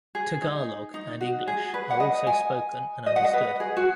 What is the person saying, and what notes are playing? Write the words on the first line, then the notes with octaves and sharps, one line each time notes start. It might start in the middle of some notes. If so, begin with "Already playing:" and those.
Tagalog and English are also spoken and understood.
G#4
D#4
D#4
F#4
G#4
B4
F#5
D#5
G#5
D#5
F#5
D#5
B4
G#4
F#4